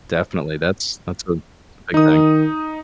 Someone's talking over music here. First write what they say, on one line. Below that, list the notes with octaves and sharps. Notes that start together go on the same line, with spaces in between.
Definitely, that's that's a that's a big thing.
D#3 D#4 D#6